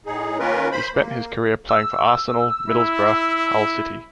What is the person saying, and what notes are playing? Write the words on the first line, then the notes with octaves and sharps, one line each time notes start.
He spent his career playing for Arsenal, Middlesbrough, Hull City.
A2 D#4 G#4
D#3 A#3 C#4 F4 A#4 B4
C5 B5
A#3
E6
E4